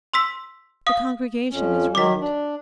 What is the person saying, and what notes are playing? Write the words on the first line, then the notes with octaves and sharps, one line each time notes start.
The congregation is rapt.'
C6 E6 B6
F5 D#6
F2 C#4
D#3 F#3 D6 B6
D4